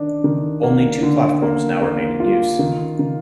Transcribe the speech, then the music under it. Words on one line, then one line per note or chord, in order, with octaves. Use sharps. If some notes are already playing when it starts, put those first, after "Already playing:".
Only two platforms now remain in use.
Already playing: D#3 D4
D#3
A#3
D3
A#3
A#3
F4
D#3
D#3